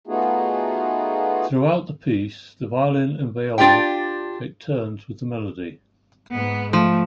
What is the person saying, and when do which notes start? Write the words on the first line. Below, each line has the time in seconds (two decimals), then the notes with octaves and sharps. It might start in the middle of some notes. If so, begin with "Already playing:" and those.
Throughout the piece, the violin and viol take turns with the melody.
0.07 A3 B3 D#4 F4 F#4 G#4
3.58 D4 F4 G4 D5 G5
6.33 G#2 B3
6.73 F3 A3